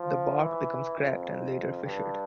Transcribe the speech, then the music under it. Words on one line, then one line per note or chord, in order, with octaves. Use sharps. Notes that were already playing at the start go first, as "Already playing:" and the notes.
The bark becomes cracked and later fissured.
Already playing: F3
E3
F2
G2